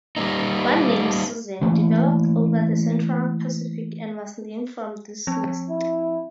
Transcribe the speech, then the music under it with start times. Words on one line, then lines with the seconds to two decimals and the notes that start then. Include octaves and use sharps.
One name, Susan, developed over the Central Pacific and was named from this list.
0.17 G3 A#3 D#4
1.61 E3 A3 A#3
5.27 F3 C4
5.69 E4